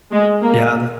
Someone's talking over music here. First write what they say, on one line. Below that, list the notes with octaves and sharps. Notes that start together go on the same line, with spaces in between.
Yeah, that
G#3
A#3